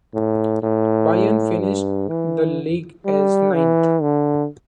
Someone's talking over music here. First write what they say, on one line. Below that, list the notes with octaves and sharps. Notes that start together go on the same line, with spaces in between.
Bayern finished the league as ninth.
A2
A2
G2
E3
G3
E3
D3